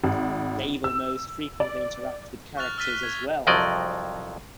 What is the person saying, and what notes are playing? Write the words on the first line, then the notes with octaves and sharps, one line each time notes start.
They will most frequently interact with characters as well.
G#1
E6
D5
C#6 F6 F#6 A6 F7
E6 F6 A6 B6 D#7 G7
G#6
C2 F2 F3 F#3 D5 D#5